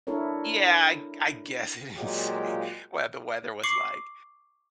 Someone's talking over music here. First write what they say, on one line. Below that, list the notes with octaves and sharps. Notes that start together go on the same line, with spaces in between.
Yeah, I g I guess, he didn't say what the weather was like.
D4 E4 A4 A#4 C#5
A#2 F#3 G#3 F4 G4
C#6 D6 C7 C#7 F#7